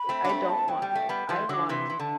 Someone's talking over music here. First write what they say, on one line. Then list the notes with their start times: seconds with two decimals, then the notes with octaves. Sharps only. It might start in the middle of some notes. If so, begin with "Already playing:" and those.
I don't want meds, I want
Already playing: B5
0.09 A3 C4
0.25 D4
0.29 A3 C4
0.49 A5
0.68 F#3 G5
0.82 G3
0.89 G5
0.95 A3
1.09 G3 B3 B5
1.29 E3 G3 C6
1.49 D3 F#3 D6 E6
1.69 C3 E3 C6
1.90 E3
2.00 D3 A5